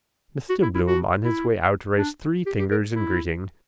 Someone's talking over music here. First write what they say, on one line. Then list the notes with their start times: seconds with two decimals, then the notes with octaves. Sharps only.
Mr Bloom on his way out raised three fingers in greeting.
0.49 F#4
0.62 E4
0.74 E4
0.87 F#4
1.23 E4
1.98 D4
2.46 G4
2.59 G4
2.71 A#4
2.95 E4